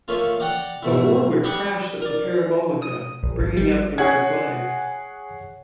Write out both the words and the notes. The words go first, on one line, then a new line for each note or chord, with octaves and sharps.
But Warwick crashed at the Parabolica, bringing out the red flags.
A3 A#3 C#4 F4
D5 F#5 G5 A#5 D6
G#2 B2 A3 E4
G3 G4 G#4 F#5 B5 C#6
A#4 D5
D#6
A#1
G#1
G3
G#4 C#5 F#5 G#6